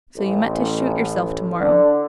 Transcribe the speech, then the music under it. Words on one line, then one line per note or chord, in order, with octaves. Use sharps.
So you meant to shoot yourself to-morrow!
A1
D3